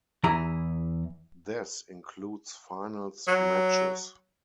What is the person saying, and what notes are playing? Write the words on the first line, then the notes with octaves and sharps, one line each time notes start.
This includes finals matches.
E2 E3 E4 G#4 A#5
F#3